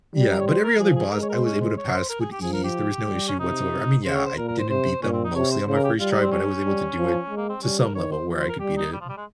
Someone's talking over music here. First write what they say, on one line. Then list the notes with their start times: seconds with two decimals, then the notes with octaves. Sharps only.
Yeah, but every other boss, I was able to pass with ease, there was no issue whatsoever. I mean, yeah, I didn't beat them mostly on my first try, but I was able to do it to some level where I could beat it.
0.15 G3
0.31 A#4
0.40 C#5
0.47 C5
0.64 A#4
0.79 F3 G#4
0.95 G#4
1.11 G#3 A#4
1.22 C#5
1.29 A#4
1.34 C5
1.45 C#4
1.61 C5
1.77 C#5
1.94 C5
2.10 A#4
2.21 G#4
2.32 G4
2.42 F3 G#4
2.53 A#4
2.64 G4
3.07 G3
3.28 C#4
3.39 C3 D#4
4.05 C#3 C5
4.15 C#5
4.26 C5
4.37 A#2 A#4
4.48 A#4
4.59 C5
4.70 C3 C5
5.02 A#2 C#4
5.13 C4
5.24 D#4
5.35 C3 C#5
5.51 C5
5.67 C#3 C5
5.76 A#4
5.84 G4
6.00 G3 F4
6.11 D#4
6.22 C4
6.32 C#4
6.65 G3
6.97 F3
7.30 G#3
7.37 A#3
7.49 C4
7.63 G3 C#4
7.79 A#4
7.95 D#3 C#5
8.12 C5
8.27 F3
8.39 C5
8.49 A#4
8.60 G3 G4
8.77 D#4
8.93 G3
9.01 F3
9.09 G3
9.17 G#3